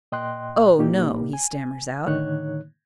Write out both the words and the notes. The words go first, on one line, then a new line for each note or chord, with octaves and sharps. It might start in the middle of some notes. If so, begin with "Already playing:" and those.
"Oh, no," he stammers out.
A#2 D#5 G5 C6 F#6
A#2 A#3 D#4 G4
G#5
A2 D3 D#3 D#4 C#5 F#6